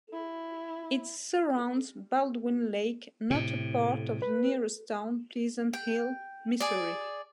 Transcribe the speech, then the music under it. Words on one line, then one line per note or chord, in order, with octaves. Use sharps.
It surrounds Baldwin Lake, not a part of the nearest town, Pleasant Hill, Missouri.
E4
A2 C3
B4
G5
G#4 D5